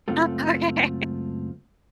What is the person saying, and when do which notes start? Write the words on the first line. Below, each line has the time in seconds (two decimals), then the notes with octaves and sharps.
Oh, okay.
0.08 C#2 F#2 A3 C4 F4 A4